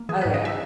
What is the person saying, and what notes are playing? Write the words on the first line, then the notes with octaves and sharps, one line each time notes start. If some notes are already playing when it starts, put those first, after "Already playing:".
Oh, yeah.
Already playing: A#3
E3 G#4
B4
G#2
D#5
E5